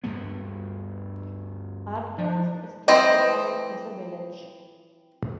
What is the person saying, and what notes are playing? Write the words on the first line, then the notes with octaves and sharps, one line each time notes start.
Ardglass is classified as a village.
D2 G2 G#3 B3
F3
E3 C4 C5 D#5 A#5